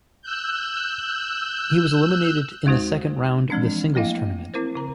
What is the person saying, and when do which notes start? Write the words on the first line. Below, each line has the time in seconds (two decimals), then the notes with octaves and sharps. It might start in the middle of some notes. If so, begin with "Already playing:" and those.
He was eliminated in the second round of the singles tournament.
0.22 E6 F#6 G6
2.66 D#2 G#3 D#4 F#4 C5
3.50 E3 F3 G#3 C4 D4
3.95 F3 A3 A#3 E4 D#5 F5
4.54 C4 E4 A#4 C5
4.75 C#3 A#5